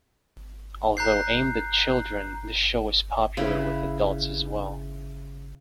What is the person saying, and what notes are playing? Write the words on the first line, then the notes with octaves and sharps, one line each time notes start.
Although aimed at children, this show was popular with adults as well.
A#5 F#6 G6 C7
C#3 E4 B4